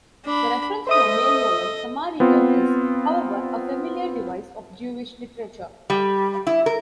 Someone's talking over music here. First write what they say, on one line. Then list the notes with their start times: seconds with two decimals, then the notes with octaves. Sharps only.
The reference to a malevolent Samaritan is, however, a familiar device of Jewish literature.
0.25 D4 B5
0.87 A4 C5 D#5 E5 D#6
2.20 B3 C4 F4
5.90 G3
6.47 E4
6.66 A#4